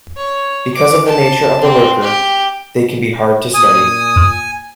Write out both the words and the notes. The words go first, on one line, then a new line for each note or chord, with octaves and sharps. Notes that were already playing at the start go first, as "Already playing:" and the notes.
Because of the nature of the lurker, they can be hard to study.
C#5
D6
A5
C4
G4
A#2 G#5 D#6